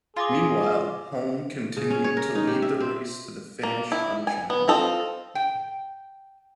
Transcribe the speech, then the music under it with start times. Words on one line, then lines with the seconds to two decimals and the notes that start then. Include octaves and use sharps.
Meanwhile, Hulme continued to lead the race to the finish unchallenged.
0.17 F4 G#4 D6 A#6 G7
1.77 C#3
1.90 C#4
2.04 C#5
2.17 A#4
2.35 D#4
2.47 G4
2.62 E5
2.80 C4
3.63 A#3
3.92 E4
4.27 G#5
4.50 B3
4.68 C4 F4 A4 D#5
5.35 G5